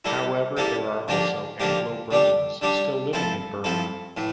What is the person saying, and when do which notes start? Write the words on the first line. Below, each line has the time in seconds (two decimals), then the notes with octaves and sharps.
However, there are also Anglo-Burmans still living in Burma.
0.05 G3 A#3 E4 A4
0.57 G3 A#3 E4 A4
1.08 D3 F3 A#3 D4 G4
1.60 D3 F3 A#3 D4 G4
2.11 D3 G3 D4 G4
2.61 D3 G3 D4 G4
3.13 F3 C4 E4 A4
3.64 F3 C4 E4 A4
4.17 A2 E3